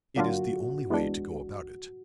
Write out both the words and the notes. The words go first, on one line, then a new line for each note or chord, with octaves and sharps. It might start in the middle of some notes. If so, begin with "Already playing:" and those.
It is the only way to go about it.
D3 F#3 A#3 D4 F4 F#4
E3 G#3 B3 D4